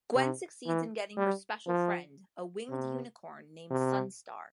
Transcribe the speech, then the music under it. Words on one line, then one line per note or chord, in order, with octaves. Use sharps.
Gwen succeeds in getting her Special Friend, a winged unicorn named Sunstar.
C3
E3
G3
F3
C3
C3